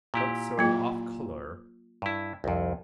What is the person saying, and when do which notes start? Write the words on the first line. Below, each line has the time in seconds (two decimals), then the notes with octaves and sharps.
Felt so off colour.
0.14 A#2 E4 G4
0.58 F#3 A#3 F4
2.02 G2 E4
2.44 C2 F2